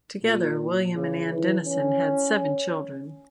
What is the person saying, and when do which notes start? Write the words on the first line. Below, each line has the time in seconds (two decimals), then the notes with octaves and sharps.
Together, William and Anne Dennison had seven children.
0.24 A#2
0.95 C#3
1.30 E3
1.65 C#4